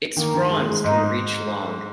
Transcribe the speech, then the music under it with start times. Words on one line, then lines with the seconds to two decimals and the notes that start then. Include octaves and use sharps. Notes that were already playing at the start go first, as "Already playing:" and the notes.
Its fronds can reach long.
0.17 D#3 A#3
0.34 D#3
0.50 G#3
0.67 G#3
0.84 G#2 D#4